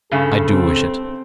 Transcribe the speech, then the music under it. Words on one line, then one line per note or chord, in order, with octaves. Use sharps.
"I do wish it."
G2 C#3 A3 A4
C4